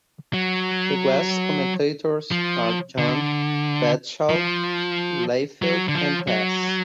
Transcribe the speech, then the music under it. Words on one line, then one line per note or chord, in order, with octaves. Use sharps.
The guest commentators are John "Bradshaw" Layfield and Tazz.
F#3
F3
D3
F3
F#3
D3
F3
F#3